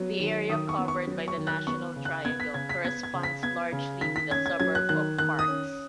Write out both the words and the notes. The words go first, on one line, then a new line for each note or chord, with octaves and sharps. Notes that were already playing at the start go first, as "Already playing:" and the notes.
The area covered by the National Triangle corresponds largely with the suburb of Parkes.
Already playing: F#3 B3
D#3
D#3 D#6
C#6
B3
C#6
F#3
C#6
D#3
F#6
B3 C#6
C#3
F#6
B3 G#6
B6
C#3 G#6
B6
B3 G#6
G#6
C#3
B6
B3 G#6
C#3
D#3 B6
B6
C#4 G#6
G#6
F#3 G#6
F#6
D#3 F#6
D#3 F#6
D#6
C#4